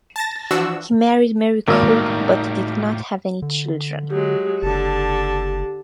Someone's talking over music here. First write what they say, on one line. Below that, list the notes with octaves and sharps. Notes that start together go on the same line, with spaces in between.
He married Mary Cope but did not have any children.
A5 A6 A#6
E3 F3 D4 F#4 E6
G#1 A2 G3 A#3 D#4
D3
F#3 G#3 G4
F#1 D3 A5